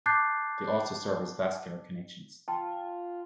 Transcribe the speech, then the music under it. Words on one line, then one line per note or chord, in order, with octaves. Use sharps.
They also serve as vascular connections.
A5 D6 F#6 G6 A6 C7
F4 G5 A5 C6